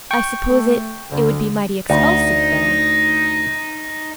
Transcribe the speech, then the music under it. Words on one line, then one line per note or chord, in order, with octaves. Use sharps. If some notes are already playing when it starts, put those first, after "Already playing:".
"I s'pose it--it would be mighty expulsive, though."
G5 C#6
A3
D2 D3
D2 D#4